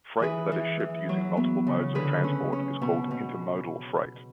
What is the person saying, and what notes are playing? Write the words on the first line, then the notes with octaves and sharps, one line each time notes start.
Freight that is shipped using multiple modes of transport is called intermodal freight.
E3 G#4 B4
E3
E3
F#3
B3
C#3
D3 G#4 B4
C#4
C#4
B2
B2